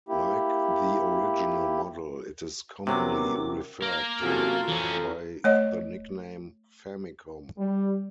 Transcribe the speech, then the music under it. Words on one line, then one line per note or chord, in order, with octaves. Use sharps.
Like the original model, it is commonly referred to by the nickname "Famicom".
A#3 E4 G4
C3 F#3 B3 C#4 A#4 D6
A#3 A#4
F#2 C3 F4 F#4 A4
F2 E3 C#4
A3 C#5 D#5
G3